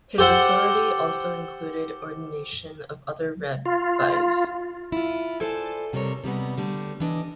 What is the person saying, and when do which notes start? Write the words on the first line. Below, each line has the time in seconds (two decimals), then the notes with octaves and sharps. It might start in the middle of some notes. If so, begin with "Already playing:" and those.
His authority also included ordination of other rabbis.
0.18 G4 A4 C5 F#5
3.66 F4
4.92 E4 F4
5.41 A4 C5 D5 G#5 A5
5.93 C3 G3 C4 A#4 C#5
6.24 C3 G3 G#3 B3
6.58 D3 G3 A3
7.00 E3 D4 D#5